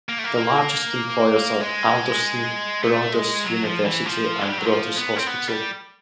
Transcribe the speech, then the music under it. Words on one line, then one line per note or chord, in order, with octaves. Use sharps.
The largest employers are Alderson Broaddus University and Broaddus Hospital.
A#3
A3
A#3
G#3
A3
G#3
F#3
F3
E3
F3
G#3
G3
F#3
F3
B3
C4
B3
G3